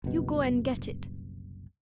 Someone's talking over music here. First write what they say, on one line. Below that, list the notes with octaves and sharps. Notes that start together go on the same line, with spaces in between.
You go and get it.
F#1 C2 B2